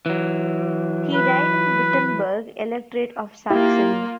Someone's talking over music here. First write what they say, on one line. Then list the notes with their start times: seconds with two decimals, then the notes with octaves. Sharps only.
He died in Wittenberg, Electorate of Saxony.
0.06 E3 F#3
1.13 B4
3.50 A#3 E4 F4 G4